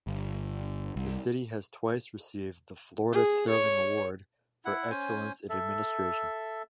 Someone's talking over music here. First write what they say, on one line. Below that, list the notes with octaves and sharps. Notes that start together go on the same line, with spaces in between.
The city has twice received the Florida Sterling Award for excellence in administration.
G1
C2
G#4
C#5
E4 F#5
C#4 C5 G#5
A4 E5